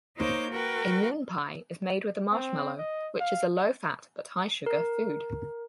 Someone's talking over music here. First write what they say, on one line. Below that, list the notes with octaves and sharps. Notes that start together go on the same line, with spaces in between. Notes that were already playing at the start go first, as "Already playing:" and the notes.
A MoonPie is made with marshmallow, which is a low-fat but high-sugar food.
A#3 D#4 C5 C#5 D6 G6
F#4 A#4 B4 G5
C4
D#5
F5
A#4